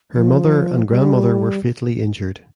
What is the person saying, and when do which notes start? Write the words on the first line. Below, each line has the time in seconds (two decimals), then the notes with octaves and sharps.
His mother and grandmother were fatally injured.
0.13 F3
0.90 G3